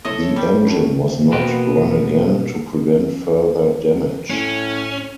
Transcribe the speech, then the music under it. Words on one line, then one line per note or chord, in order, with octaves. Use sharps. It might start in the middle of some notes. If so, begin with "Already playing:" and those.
The engine was not run again to prevent further damage.
E4 A4 C#5 D#5
G3
A2
B2 A#3 B3 F#4 G5 C6
A2 C#4